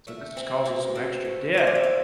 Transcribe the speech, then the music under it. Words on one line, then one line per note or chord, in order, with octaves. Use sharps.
So, this is causing some extra debt,
A3 E5
C4
B2
C4
A3
C4 C5
D5
E5
E4 F5